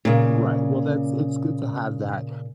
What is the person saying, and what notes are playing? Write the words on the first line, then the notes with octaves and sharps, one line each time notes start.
Right, well, that's it's good to have that
A#2 C#3